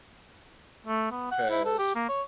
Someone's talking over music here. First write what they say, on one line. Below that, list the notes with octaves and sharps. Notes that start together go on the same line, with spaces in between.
the past
A3
B3
F#5
E4
A4
G4
A#3
C#5